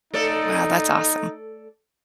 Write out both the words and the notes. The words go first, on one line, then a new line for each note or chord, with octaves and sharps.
Wow, that's awesome.
A3 D#4 A4 D5